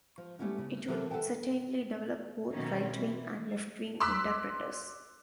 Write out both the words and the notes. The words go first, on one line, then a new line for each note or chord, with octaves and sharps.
It would certainly develop both right-wing and left-wing interpreters.
F3
G3 A3 B3 C#4 E4 F4
C#3
C3 E3 F#3 C4 A4 A#4
A4 B4 E5 F#5 G5 A5
B2 D#3 F#3 A#3 C4 C#4
E3
C6 D6 E6 F#6 B6